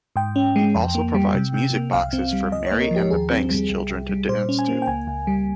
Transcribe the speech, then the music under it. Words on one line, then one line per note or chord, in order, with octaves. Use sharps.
He also provides music boxes for Mary and the Banks children to dance to.
G#2 G5
C#4
G#3
F2
A#3
G3
C3
C3
A#3
C2 F5
C4
G3
C#2 D#5
C#5
A#3
A#4
F3
G4
D#2 G#4
C4
G3
C2
C2
G3
A#2 C5
C#4
G#5
A#3
G5
C#2 G#5
C#2
G3